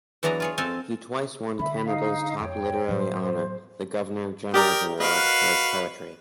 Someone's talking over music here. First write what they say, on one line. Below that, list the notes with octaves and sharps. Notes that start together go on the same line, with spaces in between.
He twice won Canada's top literary honor, the Governor General's Award, for his poetry.
E2 E3 F#3 D4 G#4 A#5
F4 G#4 C#5
F2 C4 A4 F5 G#5 A5
D3 E5 B5
D#4 F5
F2 C#5 G5
A2 F#3 C5
G4 A#4 D5 G5 A#5 D#6
F#4 A#4 B4 D#5 F5